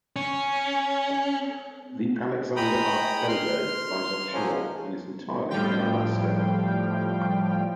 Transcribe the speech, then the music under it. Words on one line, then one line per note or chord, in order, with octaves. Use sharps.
The Alexander Archipelago lies offshore and is entirely within Alaska.
C#4
G#3 G5 A#5 B5 D#6
C6 F6
F3 F#3 G#3 A#3 C#4
A2 F3 G3 F5 G5